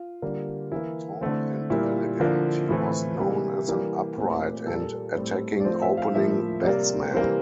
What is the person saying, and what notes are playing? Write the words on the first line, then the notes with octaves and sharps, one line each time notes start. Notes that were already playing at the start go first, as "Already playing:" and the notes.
Tall and elegant, he was known as an upright and attacking opening batsman.
Already playing: F4
D3 G3 A#3
E3 A#3 E4
D3 A3 C4
A#2 G3 A#3 E4
D3 F3 A#3
A2 E3 A3 C4 E4
C3 E3 G3 A#3
E3 G3 A#3 G4
A#2 A3 C4
A#2 G3 A#3 A4
A2 G3 C4
D5
A2 F3 A3 C4 C5
E5
F5
A2 F3 A#3 E5
C3 G3 A#3 D5
C3 E3 G3 A#3 C5